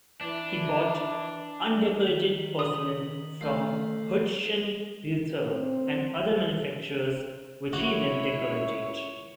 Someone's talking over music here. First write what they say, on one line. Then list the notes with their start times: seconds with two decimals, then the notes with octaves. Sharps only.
He bought undecorated porcelain from Hutschenreuther and other manufacturers which he then decorated.
0.21 E3 D4
2.06 D#3 B6 F#7 G7
2.59 D#6
3.41 A3 D#4 F4 C7
5.50 C4
7.73 C#2 E4 F#4 C#5